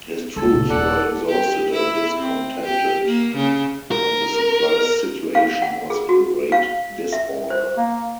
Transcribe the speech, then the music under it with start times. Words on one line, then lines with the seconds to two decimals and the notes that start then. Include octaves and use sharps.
His troops were exhausted and discontented, and the supply situation was in great disorder.
0.36 C#2 A4
0.52 A#2 C#3
0.70 D#1 D4 A4 D5 F#5
1.29 G4
1.71 E4
2.17 C4
2.63 G4
3.06 A#3
3.37 C#3
3.92 A#4
5.35 F5
5.62 F#5
5.90 G#4
6.09 F#4
6.52 F5
7.13 E5
7.50 C5
7.78 A#3